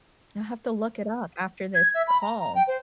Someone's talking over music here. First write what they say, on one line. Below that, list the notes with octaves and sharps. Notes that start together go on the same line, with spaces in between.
I have to look it up after this call.
G#6
E5
B5
A#5
A#5
G5
C5